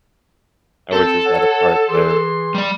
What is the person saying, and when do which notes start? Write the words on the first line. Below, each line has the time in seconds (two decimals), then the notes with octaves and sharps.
I was just at a park that
0.93 C4 A4
1.26 C#5 F#5 A5
1.89 E3 G#4 C6
2.54 G3 D5